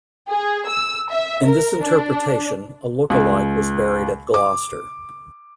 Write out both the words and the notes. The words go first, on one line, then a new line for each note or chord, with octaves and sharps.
In this interpretation, a look-alike was buried at Gloucester.
G#4
E6
E5
A#4
D4
C#2
D6